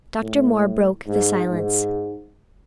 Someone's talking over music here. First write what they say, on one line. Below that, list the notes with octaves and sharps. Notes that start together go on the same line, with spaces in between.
Dr. Moore broke the silence.
A2
G#2
G#2